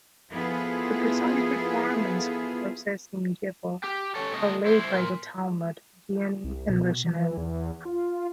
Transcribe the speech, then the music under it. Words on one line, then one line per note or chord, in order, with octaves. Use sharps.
The precise requirements for processing "gevil" are laid by the Talmud, Geonim and Rishonim.
F3 B3 E4 F4 G#4 A4
G4
C#4 A4
A3 D#5
E4 C5
A#4 C6
C2
B2
E3
E2
F4